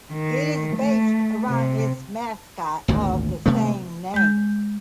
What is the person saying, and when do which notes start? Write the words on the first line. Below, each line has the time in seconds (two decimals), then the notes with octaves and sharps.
It is based around its mascot of the same name.
0.12 D#3
0.77 A3
1.48 C3
2.88 G#1 D2 A#2
3.46 C3 A3 B3
4.14 G#3 G6